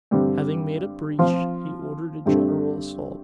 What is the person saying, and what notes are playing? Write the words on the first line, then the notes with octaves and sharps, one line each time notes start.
Having made a breach, he ordered a general assault.
G2 D3 G3 C4 G4
F3 C4 F4 C5 F5
G2 D3 A3 C4 G4